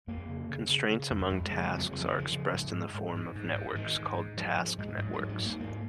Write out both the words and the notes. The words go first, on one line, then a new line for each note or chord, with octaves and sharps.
Constraints among tasks are expressed in the form of networks, called task networks.
F2 A#3
C#3
C#3
C#3
C#3
F2
F2 G#3
G#3
C#3
G#3
F2
F#3
C#3 F3
D#3
C#3
F3
C#3
G#2
G#2
G#2
G#2
G#2
G#2
G#2 D#3
G#2
G#2
G#2 F3
G#2 F3
G#2 G#3
G#2 F#3
F#3
G#2
F#3
G#2
A#3
G#2 A#3